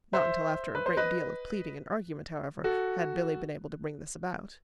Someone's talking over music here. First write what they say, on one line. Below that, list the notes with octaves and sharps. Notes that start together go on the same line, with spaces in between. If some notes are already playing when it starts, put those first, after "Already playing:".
Not until after a great deal of pleading and argument, however, had Billy been able to bring this about.
C5 E5
B4
C5
B4 D#5
F#4 A4